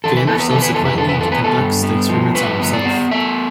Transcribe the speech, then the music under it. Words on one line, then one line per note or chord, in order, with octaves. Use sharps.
Banner subsequently conducts the experiments on himself.
E3 A4
B4
B3 A4
B4
E3 A4
B4
A4
F2 B4
A4
E3 B4
A4
B3 B4
A4
G2
B3
F3
G2 B4
B3
D5
B3
A3 E5